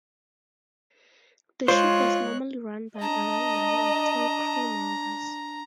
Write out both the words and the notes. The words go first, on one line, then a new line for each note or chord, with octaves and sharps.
The ship was normally run by around nine or ten crew members.
G#3 F4 C5 C#5 F#6
D4 D#5 A5 A#5